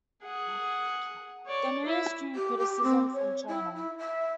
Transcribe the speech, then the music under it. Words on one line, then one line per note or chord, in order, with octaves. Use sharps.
The news drew criticism from China.
G#4 F#5
C#5 D5
E4 E5
G4
G4
C4
C#5
E4
E4
E5